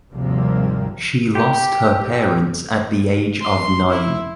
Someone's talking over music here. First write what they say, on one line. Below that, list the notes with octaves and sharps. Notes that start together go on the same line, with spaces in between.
She lost her parents at the age of nine.
G#1 D#2 C3 F3 G3 A#3
G4
C6
E4